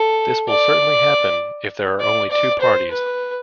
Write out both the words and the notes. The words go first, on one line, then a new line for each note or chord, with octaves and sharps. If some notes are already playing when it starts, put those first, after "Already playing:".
This will certainly happen if there are only two parties.
Already playing: A4
D5
D5
D5
C5
B4